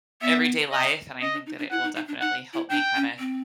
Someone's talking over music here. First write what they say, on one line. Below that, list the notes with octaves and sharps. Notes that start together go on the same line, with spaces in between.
everyday life, and I think that it will definitely help me kinda
B3 E5
D#5
C#4 D#5
D4
D#4
D4
E4 F#5
D#4
D#4
D4
D#4 F#5
E4
D4 G5
C#4
C4